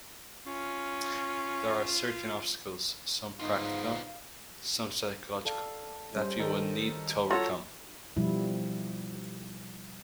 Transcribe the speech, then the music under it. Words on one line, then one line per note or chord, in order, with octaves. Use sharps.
There are certain obstacles, some practical, some psychological, that we would need to overcome.
C#4 F4
G#2 B3 D#4 F4 F5
A4 D5 F5
G3 C#4 C5
D#3 D#4 A4
F4 F#4 A4 C#5 A#5
B2 F3 G3 E4